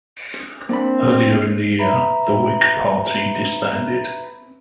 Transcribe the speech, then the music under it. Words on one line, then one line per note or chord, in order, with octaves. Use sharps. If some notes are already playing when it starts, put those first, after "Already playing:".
Earlier in the year, the Whig Party disbanded.
A#3 C4 D4 B5
B4 E5 A#5 B5